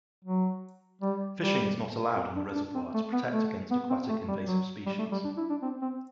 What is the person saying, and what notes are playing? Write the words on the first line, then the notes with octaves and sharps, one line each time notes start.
Fishing is not allowed in the reservoir to protect against aquatic invasive species.
F#3
G3
G3
C4
D4
D4
C4
A3
B3
A3
B3
C4
A3
G3
F#3
G3
A3
G3
D4
E4
D4
C4
C4